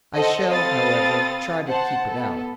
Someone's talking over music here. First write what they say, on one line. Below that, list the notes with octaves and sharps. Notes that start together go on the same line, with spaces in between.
I shall, however, try to keep it out.
A4 C5 D#5 F#5
C4 A4 F5 B5 D#6 A6
C5 F#5 A5
B3 A4